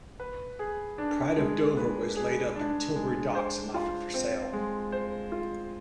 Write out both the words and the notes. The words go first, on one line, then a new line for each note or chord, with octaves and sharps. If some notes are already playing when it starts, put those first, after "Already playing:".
"Pride of Dover" was laid up in Tilbury Docks and offered for sale.
B4
G#4
D4
G#3
B4
G#4
D4
G#3
C5
F4
C4
G#3
C5
F4